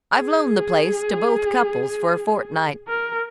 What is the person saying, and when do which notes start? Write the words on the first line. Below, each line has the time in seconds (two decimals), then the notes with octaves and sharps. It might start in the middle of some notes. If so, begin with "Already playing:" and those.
I've loaned the place to both couples for a fortnight.
0.16 G#4
2.88 A#4